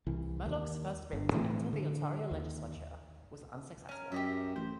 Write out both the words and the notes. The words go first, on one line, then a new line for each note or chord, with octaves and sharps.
Murdoch's first bid to enter the Ontario legislature was unsuccessful.
C2 E3
D#2
G1
A2 E3 A3 C4
D3
D#2
C#4 A#4
F#2 G4 D#5 E5
A1 C5